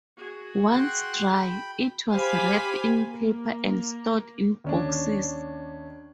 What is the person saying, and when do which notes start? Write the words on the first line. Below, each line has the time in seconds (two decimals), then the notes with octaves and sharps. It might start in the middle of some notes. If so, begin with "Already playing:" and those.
Once dry, it was wrapped in paper and stored in boxes.
0.17 F#4 G#4
0.72 F#5 G5 C6
1.35 G5 B5
2.11 G4 C5 F5 G#5 B5
2.99 A#3
4.64 D#2 C#4 D4